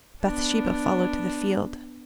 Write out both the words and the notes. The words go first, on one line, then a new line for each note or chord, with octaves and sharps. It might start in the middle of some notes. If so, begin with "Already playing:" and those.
Bathsheba followed to the field.
B3 D4